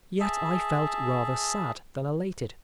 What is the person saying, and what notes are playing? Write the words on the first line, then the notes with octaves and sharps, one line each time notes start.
Yet I felt rather sad than elated.
G#4 E5 A5